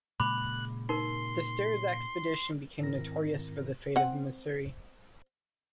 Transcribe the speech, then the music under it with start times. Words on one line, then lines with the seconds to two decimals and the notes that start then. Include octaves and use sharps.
The Stairs Expedition became notorious for the fate of Msiri.
0.20 A#2 C#3 G#3 B5 D6 F#6
0.89 D#4 A#4 C6
2.80 G#2 D#3 C4 E4 A#4 A#6
3.96 C4 F#5